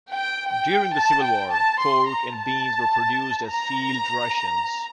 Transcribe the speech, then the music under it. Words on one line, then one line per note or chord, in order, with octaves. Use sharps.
During the Civil War, pork and beans were produced as field rations.
G5
G5
A5
G5
A5
C6
A#5
A5
A#5